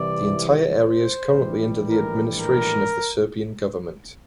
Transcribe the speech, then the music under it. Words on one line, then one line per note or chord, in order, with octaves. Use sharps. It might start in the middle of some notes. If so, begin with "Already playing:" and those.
The entire area is currently under the administration of the Serbian government.
Already playing: C2 C3 E3 D5
C5
A#1 A2 E3 G3
A#4
A#4